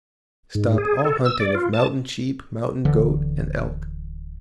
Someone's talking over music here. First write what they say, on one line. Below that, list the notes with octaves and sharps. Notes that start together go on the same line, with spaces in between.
Stop all hunting of mountain sheep, mountain goat and elk.
G#2
G#4
A4
E6
D5
F4
A5
D1 D3 E3